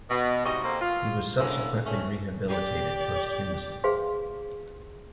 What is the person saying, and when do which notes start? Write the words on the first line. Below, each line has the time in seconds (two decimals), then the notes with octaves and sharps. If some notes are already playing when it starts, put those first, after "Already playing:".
He was subsequently rehabilitated posthumously.
0.10 B2
0.46 G#2 C3 G3 F#4 D#5
0.64 A#3 C4 A4 C5
0.81 F4
1.39 D3 G#3 A#3 C#4 E4
1.85 F2 G#2 A3 C#4
2.48 G4 D5
3.84 G#4 B4 C5 F5 C6